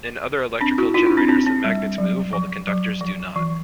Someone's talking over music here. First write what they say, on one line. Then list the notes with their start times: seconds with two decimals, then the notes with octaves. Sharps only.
In other electrical generators, the magnets move, while the conductors do not.
0.61 C4 D4
0.78 E4 F#4
0.94 D#4 F4
1.06 D4 E4
1.17 C4 D4
1.29 C4 D4
1.47 C4
1.64 G3
1.98 F#3
2.33 F3
2.67 F#3
3.01 F3
3.36 E3